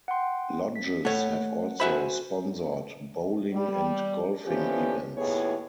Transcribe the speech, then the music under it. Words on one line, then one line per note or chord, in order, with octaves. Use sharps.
Lodges have also sponsored bowling and golfing events.
F#5 G5 C6
B6
A3 C#5 F#5
F#4 C5 E5 G#5 B5
G3
D3 E3 F3 B3 C#4 G4
D#2 A2 B3 E4 G#4 C#5